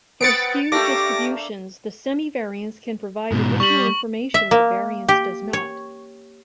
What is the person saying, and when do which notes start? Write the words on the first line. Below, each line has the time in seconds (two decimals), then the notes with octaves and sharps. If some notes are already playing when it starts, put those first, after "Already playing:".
For skewed distributions, the semivariance can provide additional information that a variance does not.
0.21 B3 C4 B4 A6 C#7 D7
0.72 A3 A#3 D4 G4 D6 A#6
3.32 G#2 B2
3.60 G3 C#6 F#7
4.34 E5
4.51 A#3
5.08 G4
5.53 C#5